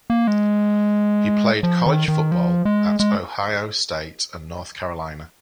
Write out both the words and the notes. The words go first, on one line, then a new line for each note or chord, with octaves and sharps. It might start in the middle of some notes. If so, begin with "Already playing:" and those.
He played college football at Ohio State and North Carolina.
A#3
G#3
F3
D#3
D#3
F3
G#3
G#3